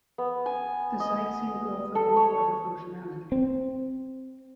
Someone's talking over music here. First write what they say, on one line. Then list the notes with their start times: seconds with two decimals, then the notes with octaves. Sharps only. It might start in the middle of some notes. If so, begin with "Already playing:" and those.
The site seemed to offer no further functionality.
0.18 B3
0.46 G#5
1.00 D#5
1.95 A4
2.16 C#5
3.32 C4